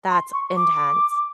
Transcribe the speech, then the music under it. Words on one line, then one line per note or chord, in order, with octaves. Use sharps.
That's intense.
C6
C#6
D6